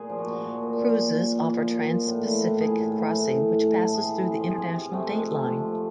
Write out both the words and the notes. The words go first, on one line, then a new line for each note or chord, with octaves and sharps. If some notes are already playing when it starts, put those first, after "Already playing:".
Cruises offer transpacific crossing which passes through the International Date Line.
Already playing: A#2 G#4
F3
F#4
A#2
F3
A#2
F3
A#2
F3
A#2
F3 F4
A#2
F3
A2
E3
A2
E3 G#4
A2
E3
A2
E3
A2
E3 A4
A2
G#4
E3
C3 G#4
F3
G#4
C3
F3
C3 A3
F3 G#3
C3 A3
F3
C3